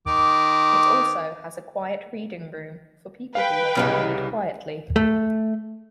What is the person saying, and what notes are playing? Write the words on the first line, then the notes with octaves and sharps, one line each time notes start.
It also has a Quiet Reading Room for people who want to read quietly.
D#3 D6
B4 F5 G5
C2 C#3 E3 G3 D#4 F6
A3